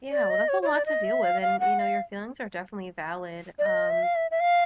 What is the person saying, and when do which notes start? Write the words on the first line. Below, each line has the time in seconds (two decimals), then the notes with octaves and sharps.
Yeah, well, that's a lot to deal with, and, you know, your feelings are definitely valid. Um,
0.11 D5
0.30 D#5
0.49 C#5
0.62 C#5
0.66 D5
0.86 D#5
1.04 E5
1.23 F5
1.42 F5
1.60 F#5
1.79 F5
3.59 D5
3.66 D#5
3.90 E5
4.03 F5
4.16 E5
4.31 E5
4.40 F5